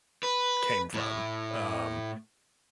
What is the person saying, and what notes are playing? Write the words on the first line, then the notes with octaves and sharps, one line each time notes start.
came from. Um.
B4
A2